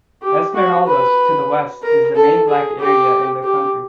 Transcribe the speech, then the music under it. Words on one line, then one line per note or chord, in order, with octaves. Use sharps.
Esmeraldas, to the west, is the main black area in the country.
G4
F#4
B4
A#4
A4
G#4
G4
G4